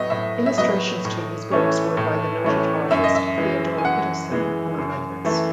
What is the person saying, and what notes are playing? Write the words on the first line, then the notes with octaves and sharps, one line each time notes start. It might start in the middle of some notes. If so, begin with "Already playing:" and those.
Illustrations to his books were by the noted artist Theodor Kittelsen among others.
Already playing: A2 F#3 B3 D#5 E5
A2 E5
E5
F#3 B3 D#5
A2
E3 A3 C#4
A2
E3 A3 C#4
F#2 E5
D#5
E5
E3 G#3
G#5
F#2 F#5
E3 G#3
F#2
E3 A3